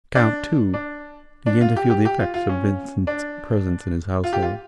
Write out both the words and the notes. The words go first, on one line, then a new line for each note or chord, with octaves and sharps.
The Count, too, began to feel the effects of Vincent's presence in his household.
D4
D4
D4
F4
G4
G4
G4
F4
F4
C#4
D4
F4
G4
F4